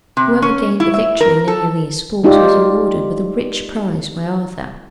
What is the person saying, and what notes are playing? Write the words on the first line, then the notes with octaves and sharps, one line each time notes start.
Whoever gained the victory in any of these sports was awarded with a rich prize by Arthur.
C3
C#4
E4
E5
A#4
A4
G#3 D#4 F4 G4 D5